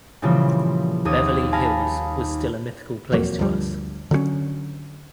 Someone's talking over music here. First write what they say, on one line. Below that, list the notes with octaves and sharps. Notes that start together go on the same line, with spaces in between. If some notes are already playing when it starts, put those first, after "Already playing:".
Beverly Hills was still a mythical place to us.
A#2 C#3 E3 F3 G3 C4
A#1 D#2 D#3 D#6
F5 G#5 A5 B5 F6 A#6
D#4
E1 F2 F#3 A#3
D2 G2 F3 G3
D3 F#3 G3 C#4